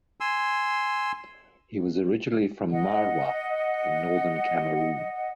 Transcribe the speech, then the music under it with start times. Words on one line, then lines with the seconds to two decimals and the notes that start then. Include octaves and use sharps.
He was originally from Marwa in northern Cameroon.
0.20 G#5 C6 E6
2.72 D#5 F#5